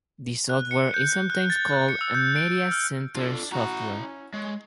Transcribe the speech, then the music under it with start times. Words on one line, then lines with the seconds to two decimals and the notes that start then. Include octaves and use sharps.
The software is sometimes called "Media Center Software".
0.49 F#6
0.71 C#7
0.94 G6
1.30 F#6
1.50 A6
1.73 F#6
1.89 C#7
2.01 E6
2.15 G6
2.36 D7
2.71 F6
3.15 D4 F4 A4
3.52 E4 F#4 A#5
4.01 C#4
4.34 G#3 C#5